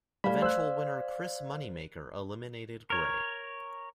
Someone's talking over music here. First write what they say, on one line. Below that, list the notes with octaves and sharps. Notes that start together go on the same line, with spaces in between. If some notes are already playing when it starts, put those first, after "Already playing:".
Eventual winner Chris Moneymaker eliminated Grey.
G3 A3 D5 F5 B5
C5 E6 F#6
A#4 C#5